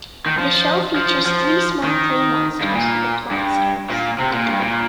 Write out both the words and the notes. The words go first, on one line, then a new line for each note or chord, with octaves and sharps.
The show features three small clay monsters, the Plonsters.
D#3
F3
F3
F3
D#3
G2
A#2
G2
A#2
C3
A#2
G2
A#2